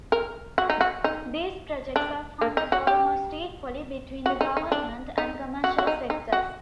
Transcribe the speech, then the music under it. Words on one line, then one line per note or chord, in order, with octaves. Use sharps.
These projects are funded almost equally between the government and commercial sectors.
A#4
F#4
D#4
F#4
D#4
D4
A#3
D#4
F#4
G4
F#4
D#4
D#4
D4
D#4
F#4
F#4
D#4
D#4
F#4